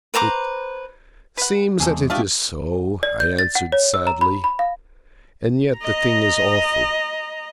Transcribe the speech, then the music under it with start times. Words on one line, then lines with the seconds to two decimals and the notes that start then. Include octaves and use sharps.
"It seems that it is so," I answered sadly, "and yet the thing is awful."
0.14 B4 C5 A#5 D6
1.37 B4 F#5
1.80 E2 C3 G#3 G#4 A4
2.10 G#3 A3 D4 F4 G4 D5
3.03 D5
3.20 G6
3.39 A6
3.55 F#5
3.72 C#5
3.94 E6
4.07 A#5
4.21 B5
4.44 B5
4.59 F5
5.78 D#5 A#5